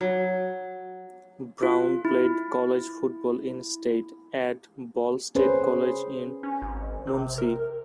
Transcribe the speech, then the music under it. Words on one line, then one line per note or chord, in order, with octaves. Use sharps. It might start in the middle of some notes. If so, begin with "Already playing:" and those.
Brown played college football in state at Ball State College in Muncie.
F#3
F4
E4
C#4 G#4 B4 C5
C#4
G#1
C3
A#4